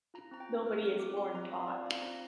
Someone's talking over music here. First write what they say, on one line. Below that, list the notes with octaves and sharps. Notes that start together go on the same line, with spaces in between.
Nobody is born taught.
F4 A#5
C4 A#5
G5
F4
C4 F6
F4 F6
C4 D6
F4 C6
C4 A#5
F4 F5
C4 D5
F4 F5
C4 A#5